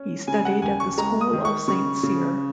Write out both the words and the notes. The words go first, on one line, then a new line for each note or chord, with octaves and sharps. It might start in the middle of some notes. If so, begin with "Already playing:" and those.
He studied at the School of Saint Cyr.
Already playing: C#4
C#3 G#5
F#5
D#2 G#5
C#6
G#3 A#5
D#6
D#3
C#6
C#3 C#6
C#3